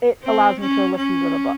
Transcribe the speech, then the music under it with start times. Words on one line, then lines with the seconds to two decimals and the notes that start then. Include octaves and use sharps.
it allows me to listen to the book
0.23 C4
0.60 C#4
0.97 C#4